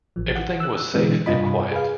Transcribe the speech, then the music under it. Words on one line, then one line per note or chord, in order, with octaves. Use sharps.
Everything was safe and quiet.
A1 F3
F#5
E6 F#6
B2 D3 E3 G#3 C4
G2 C3 F4 D#5 B5
G#4 B4 F5